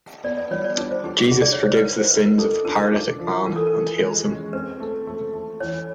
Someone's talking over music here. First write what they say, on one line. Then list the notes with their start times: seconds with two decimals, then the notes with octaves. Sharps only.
Jesus forgives the sins of the paralytic man, and heals him.
0.24 B3 D5
0.37 D5
0.51 G3 C#5
0.64 D5
0.77 D4
0.91 C5
1.04 D4 G4
1.18 G#4
1.31 D3 G#4
1.42 D5
1.53 D#4 C#5
1.64 C5
1.74 B4
1.85 D#4 A#4
1.98 C5
2.11 D#4 B4
2.26 A#4
2.38 D4 A4
2.65 D4 A#4
2.92 D4
3.19 F3
3.46 E3 A#4
3.56 A4
3.67 A#4
3.73 E3
3.99 G#3
4.26 C#4
4.53 C4 B4
4.80 A3
5.07 A3
5.33 A3
5.60 E3 C#5